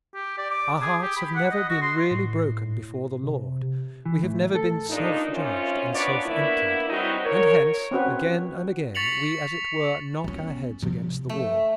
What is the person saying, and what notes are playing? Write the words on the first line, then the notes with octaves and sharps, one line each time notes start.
Our hearts have never been really broken before the Lord; we have never been self-judged and self-emptied; and hence, again and again, we, as it were, knock our heads against the wall.
G4
D5
D6
G#4
G4
B5
F#5
D#5
F#4
C6
A2
C3
E3
A2
A4
G2 A#2 D4 D#4
F#2 C3 C#4 F4
B3 D4 F4 B4 C#5 D5
A#3 B3 D4 E4
F#3 G3 C4 D#4 E4 F#4
A#4 C#5
C4 C#4 F#4 B4
C#6 A6 B6 C#7 F7 F#7
B3 C#4
C3 F3
A3